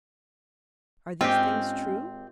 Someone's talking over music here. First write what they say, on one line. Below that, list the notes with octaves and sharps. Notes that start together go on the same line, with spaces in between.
"Are these things true?"
G#1 C4 C#4 F4 G4 D#5 G5